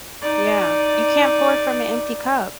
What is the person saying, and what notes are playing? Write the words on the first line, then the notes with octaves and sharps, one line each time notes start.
Yeah. You can't pour from an empty cup.
D#4 D5